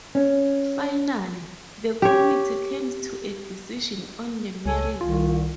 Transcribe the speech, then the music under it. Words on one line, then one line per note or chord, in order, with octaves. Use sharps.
Finally, the Committee comes to a decision on the merits.
C#4
G4 C#5
C#2 A4 C#5 G#5
C2 D#3 F4